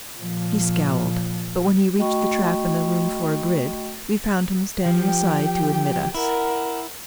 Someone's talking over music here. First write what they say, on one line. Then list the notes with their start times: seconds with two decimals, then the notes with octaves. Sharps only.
He scowled, but when we reached the trap in the room floor grid, we found him standing aside to admit us.
0.17 A#2 F3
1.97 A3 F#4 D#5 G5 B5 C#6
4.86 F3 G4 G5
6.15 E4 A#4 F#5